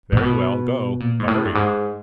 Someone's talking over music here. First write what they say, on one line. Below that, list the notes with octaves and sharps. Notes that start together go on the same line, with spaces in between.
"Very well, go; but hurry."
A#2
B2
A#2
G#2
A2
G2
G#2